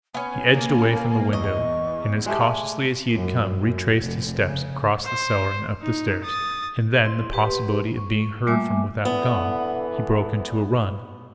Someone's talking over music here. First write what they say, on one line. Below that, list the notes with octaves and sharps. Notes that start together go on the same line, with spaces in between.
He edged away from the window, and, as cautiously as he had come, retraced his steps across the cellar and up the stairs--and then, the possibility of being heard from without gone, he broke into a run.
B3 C#4 G#5
A#3
E2 D#5 C#6
G#3 A3 G4 G#5
F#2
F#2
F1
C#3
C5
D#4
D#6 A6
E4 C6
G4 B4 C6
C#6
G3 A3 A#3 E5 G#5 D6
D3 E3 B3